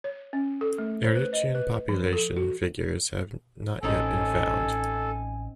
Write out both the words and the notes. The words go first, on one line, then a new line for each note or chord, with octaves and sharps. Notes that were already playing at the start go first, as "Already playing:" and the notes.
Eritrean population figures have not yet been found.
C#5
C#4
A4
A3
C5
B4
D#5
B4
F3
A4
F#4
A1 C4 C#4 D#4 A4 G#5